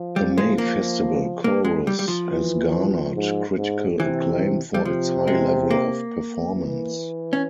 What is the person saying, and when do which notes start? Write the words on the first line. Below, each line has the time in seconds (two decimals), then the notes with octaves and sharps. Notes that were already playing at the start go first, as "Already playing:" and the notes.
The May Festival Chorus has garnered critical acclaim for its high level of performance.
Already playing: F3
0.16 G3
0.38 G#3
0.58 A#3
1.44 A#3
1.65 G#3
1.87 G3
1.99 G3
2.08 F3
2.30 E3
3.15 G#2
3.57 G#2
4.00 C3 E3
4.74 G3
4.85 C3 F3
5.28 G#3
5.71 A#3
6.56 E3
7.33 C#4